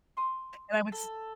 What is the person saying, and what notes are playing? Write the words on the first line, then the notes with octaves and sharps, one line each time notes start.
And I would s
C6 D#6
A4